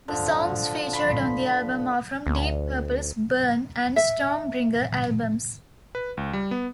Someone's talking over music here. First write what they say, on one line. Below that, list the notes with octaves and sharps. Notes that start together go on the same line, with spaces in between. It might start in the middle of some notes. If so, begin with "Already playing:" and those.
The songs featured on the album are from Deep Purple's "Burn" and "Stormbringer" albums.
D3 F3
B5 C6
D2
E5
B4
C#2
G3
B3